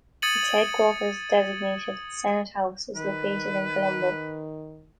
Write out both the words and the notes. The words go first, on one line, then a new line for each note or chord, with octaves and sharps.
Its headquarters designated "Senate House" was located in Colombo.
D#6 G#6 A6 C#7 D#7 F#7
D#3 B4